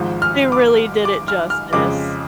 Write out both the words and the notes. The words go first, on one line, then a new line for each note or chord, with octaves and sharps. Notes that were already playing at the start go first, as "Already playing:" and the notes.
They really did it justice.
Already playing: G#1 G#2 F3
F6
D6
D6
F6
F6
F2 C#3 G#3 D6